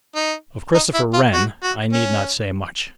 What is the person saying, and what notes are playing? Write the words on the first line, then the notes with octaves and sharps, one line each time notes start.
Of Christopher Wren I need not say much.
D#4
D#4
E4
F4
F#4
F#4
C#4